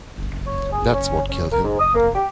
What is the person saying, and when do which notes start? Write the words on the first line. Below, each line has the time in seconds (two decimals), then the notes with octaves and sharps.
That's what killed him.
0.46 C#5
0.72 G#4
0.94 C#4
1.29 C#4
1.52 A#4
1.64 G#2
1.79 D#6
1.94 A#3
2.15 G4